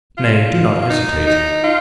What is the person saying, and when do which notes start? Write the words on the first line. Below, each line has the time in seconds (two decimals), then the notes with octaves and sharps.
Nay, do not hesitate.
0.18 F4
0.82 F4
0.90 D#4
1.27 D#4
1.64 F4